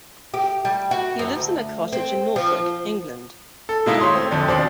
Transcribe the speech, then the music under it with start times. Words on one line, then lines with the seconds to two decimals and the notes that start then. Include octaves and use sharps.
He lives in a cottage in Norfolk, England.
0.34 G4
0.65 G3
0.91 F#4
1.19 F#2
1.35 D2
1.93 C4
2.36 F3
3.69 A4
3.86 B2 G#3 A#3 D#4 E4
4.00 G#1 C#5 C6 D#6
4.14 A3 C4
4.31 A#1 F2 D3 D5
4.48 D#2 B2 C4 D4